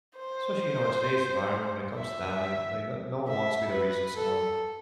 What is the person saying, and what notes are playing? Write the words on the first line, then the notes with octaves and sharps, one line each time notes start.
especially, you know, in today's environment when it comes to that, like, they the no one wants to be the reason someone
C5
E5
E5
B4
A4